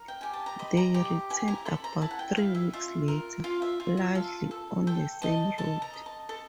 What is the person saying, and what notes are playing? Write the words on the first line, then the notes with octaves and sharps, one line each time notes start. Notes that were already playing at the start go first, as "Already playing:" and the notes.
They returned about three weeks later, largely on the same route.
Already playing: A#4 A#5
G5
G4 G#5
A5
A#5
D#5 B5
A#5
G4 A#5
E4 G#5
A#5
A4 B5
A#5
E4 A5
F#5
G5
E4 F5
E5
F4 E5
A#4
F4 F5
E5
F4
E5
A4 F5
A4
A4 G5
D#5 A5
A4 A5
A#5
D#5
A5
A4